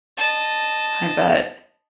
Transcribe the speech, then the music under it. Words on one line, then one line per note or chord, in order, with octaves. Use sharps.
I bet.
D#5 A5